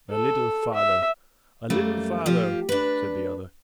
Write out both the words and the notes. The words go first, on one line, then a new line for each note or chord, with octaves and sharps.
"A little farther--a little farther," said the other.
A4
E5
F#2 G3 A3 A#3
F3 F4 G4
D4 B4